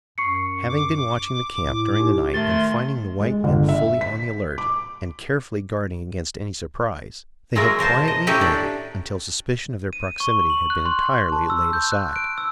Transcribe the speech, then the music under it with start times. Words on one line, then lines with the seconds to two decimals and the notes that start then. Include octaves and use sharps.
Having been watching the camp during the night and finding the white men fully on the alert and carefully guarding against any surprise, they had quietly waited until suspicion of their proximity had been entirely laid aside.
0.18 F#2 C#6 C7 C#7
0.69 D6
1.57 A2
1.99 D#4 G4
2.34 D#3 A3 C6 A6
3.20 G#3
3.44 G1
3.69 E5
4.01 B6
4.58 D6
7.56 F#3 G#3 E4 F4 A#4
7.79 B2 A#4 C5 A5
8.08 D#5
8.27 A2 C#4 D#4 E4 G4
8.41 D4
9.93 D#7
10.20 C#6
10.50 F#7
10.70 F#6
10.86 C6
11.32 A5
11.50 E6
11.73 G6
11.92 F#6
12.16 D7
12.38 E6